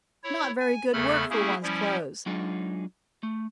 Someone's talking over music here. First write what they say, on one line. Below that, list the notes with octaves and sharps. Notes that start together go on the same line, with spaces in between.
Not very good work for one's clothes.
E4 C#5
G#5
E2 C#3 A3 A4 B5 F6
A3 A#3 C#4 E4 G#4
F3 G3 C#4 E4
F#3 G#3 D4 D#4 F4 G#4
A3